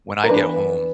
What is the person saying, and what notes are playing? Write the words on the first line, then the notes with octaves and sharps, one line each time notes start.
when I get home,
A#4
E3 B3 D4 B4